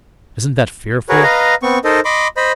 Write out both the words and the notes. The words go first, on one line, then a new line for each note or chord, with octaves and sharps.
Isn't that fearful?
F#4 G#4 A#4 B4 C#5
B4 D#5 F5 A#5
B3 C4 C#6
D#4 A4 A#4 C5 D#5
D#5 B5 C6 D6
C5 D#5 B5